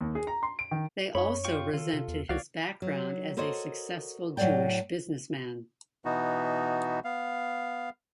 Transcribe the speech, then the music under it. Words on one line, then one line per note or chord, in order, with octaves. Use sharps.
They also resented his background as a successful Jewish businessman.
D#2
G#4
A#5
C6
D7
D#3
F#2 C#5 B5
F4 G5 C#6
D#3 F4 A4
C3
E2
C#2 F#4 C#5 D5 F5
F#3
F#4 A4 A#4 C5 C#5 D#5
A2 F#3 G#3 A#3 D5 G5
B2 E3 B3 D#4 F#4
B3 F5